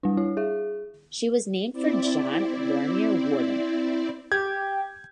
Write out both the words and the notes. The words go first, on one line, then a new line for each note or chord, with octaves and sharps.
She was named for John Lorimer Worden.
G3 D4
E4
G#4 E5
C4 E4 D5
G4 G6 G#6